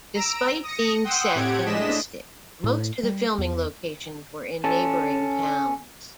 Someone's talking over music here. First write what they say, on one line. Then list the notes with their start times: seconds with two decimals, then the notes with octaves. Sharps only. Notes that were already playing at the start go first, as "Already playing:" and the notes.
Despite being set in Mystic, most of the filming locations were in neighboring towns.
0.14 A#5 E6 D7
0.63 D#6 A#6 C#7
1.04 F#5 G5 C6 D#6 E6
1.35 A2 C4 G4 F#5 G#6 D7
1.65 A2 G#3 D4 D#5 B6 E7
2.64 A2
3.03 G3
3.38 E2
4.64 C#4 A4